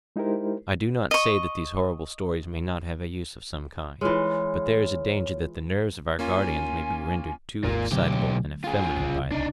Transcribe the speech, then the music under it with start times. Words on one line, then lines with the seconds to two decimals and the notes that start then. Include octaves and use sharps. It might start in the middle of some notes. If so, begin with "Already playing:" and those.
I do not say that these horrible stories may not have a use of some kind; but there is a danger that the nerves of our guardians may be rendered too excitable and effeminate by them.
0.16 G#3 D#4 E4 G4 A#4 C5
1.11 D#5 C#6
4.01 E3 G#3 F4 C#5
6.19 A#3 C#4 F4 G#5
7.64 G#1 D#2 G#2 A#3 F4
7.92 B1 D3 F#3 A3 G4
8.64 F4 G#4
8.97 D1 C2 C#3
9.32 D4 D#4